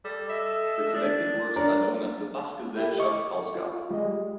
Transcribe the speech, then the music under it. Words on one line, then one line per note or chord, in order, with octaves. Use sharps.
The collected works are known as the Bach-Gesellschaft-Ausgabe.
G3 A4
D#5 E5
D4 A5
F#3 D4 A#4 D5
E4 G4
D#5 C#6 D6
F4
G3 G#3 D#5